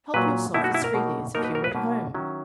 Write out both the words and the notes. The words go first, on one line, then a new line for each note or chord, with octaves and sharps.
Help yourself as freely as if you were at home!
A#2 F#3 A#3 B4
B2 F#3 A#3 D#4 E4
F#4
E4
A#4
B2 F#3 A#3 D#4
B2 F#3 A#3 D#4 A#4
B4
A#4
B4
B2 F#3 A#3 D#4
D#3 F#3 C#4 E4